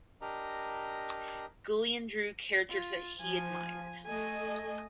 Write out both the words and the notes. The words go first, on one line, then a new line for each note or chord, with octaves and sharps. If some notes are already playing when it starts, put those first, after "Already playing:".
Guillain drew characters that he admired.
D4 G4 A#4 D#5 A#5
F4
F3 G#5
A3 A4 D#5 G#5